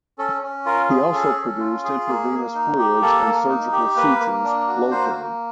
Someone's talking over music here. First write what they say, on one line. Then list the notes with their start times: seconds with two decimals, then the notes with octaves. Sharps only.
He also produced intravenous fluids and surgical sutures locally.
0.18 C#4 A4
0.42 C#4
0.66 F4 A#4
0.90 G#4
1.13 C#4 A4
1.36 C#4
1.60 F4
1.84 G#4
2.07 A#3
2.31 A#3
2.55 D#4
2.78 G4
3.02 A#3 A4
3.26 A#3
3.49 D#4
3.72 G4
3.96 A#3 B4
4.20 A#3
4.44 D4
4.67 F#4
4.91 A#3 C5
5.14 A#3